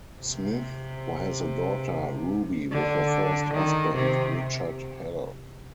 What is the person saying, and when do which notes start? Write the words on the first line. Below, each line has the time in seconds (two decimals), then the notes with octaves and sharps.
Smyth has a daughter, Ruby, with her first husband Richard Hell.
0.22 C3
2.72 D3
3.54 D#3
3.95 C3